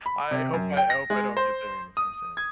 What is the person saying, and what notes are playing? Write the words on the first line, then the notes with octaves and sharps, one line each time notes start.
I hope I hope I don't get there anytime soon.
B5
C3
F#2
G5
A#6
G#3
C5
D#6
G#6